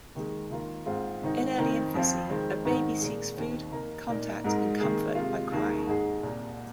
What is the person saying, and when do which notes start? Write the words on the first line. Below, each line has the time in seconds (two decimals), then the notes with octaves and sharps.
In early infancy, a baby seeks food, contact, and comfort by crying.
0.15 D#2 D#3 G#3
0.50 D#3 A#3 F4 A#4
0.85 G#2 G#3 C4 F4 G#4
1.22 G#2 D#3 C4 D#4
1.58 F2 D#3 C4 D#4 A#4
1.94 F2 F3 C4 F4
2.30 D#3 G#3 C4
2.65 G#2 D#3 C4 D#4
3.01 A#2 A#3 G#4
3.36 D#2 D#3 C4
3.72 D#3 A#3 D#4 A#4
4.08 A#2 A#3 D#4 A#4
4.44 G#2 G#3 D#4 A#4
4.80 D#3 A#3 G#4
5.15 C3 G#3 F4
5.52 D#2 D#3 A#3 D#4 G#4
5.87 G#2 G#3 D#4 G#4
6.23 C2 A#2 A#3